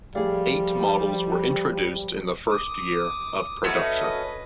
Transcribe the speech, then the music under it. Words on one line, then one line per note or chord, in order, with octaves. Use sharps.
Eight models were introduced in the first year of production.
F3 G3 A3 G4 G#4 D5 F5
D6 D#6
A3 C#4 F#4 B4 D#5